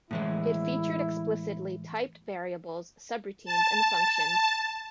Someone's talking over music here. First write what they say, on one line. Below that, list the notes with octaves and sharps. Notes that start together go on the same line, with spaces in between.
It featured explicitly typed variables, subroutines, and functions.
A2 E3 G#3 E4
A5